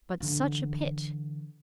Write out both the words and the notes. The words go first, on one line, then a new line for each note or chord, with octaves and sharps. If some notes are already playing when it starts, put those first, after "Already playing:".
But such a pit!
D3 E3